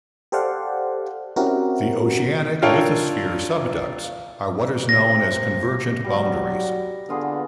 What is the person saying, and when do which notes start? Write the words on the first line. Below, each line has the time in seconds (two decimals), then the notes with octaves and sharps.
The oceanic lithosphere subducts at what are known as convergent boundaries.
0.32 G4 A4 C5 D5 F5 F#5
1.36 C4 C#4 E4 F#4 G4 A#4
2.62 D4 F4 A4 A#4 C#5 G5
4.89 C3 F5 A#6
6.04 F#3 G3
7.09 D3 B3 F4 G#4